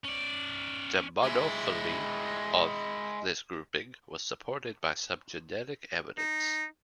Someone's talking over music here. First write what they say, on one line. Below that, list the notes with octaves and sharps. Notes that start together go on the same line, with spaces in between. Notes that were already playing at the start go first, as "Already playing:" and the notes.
The monophyly of this grouping was supported by some genetic evidence.
C#4 D5
G#3 E4
D#4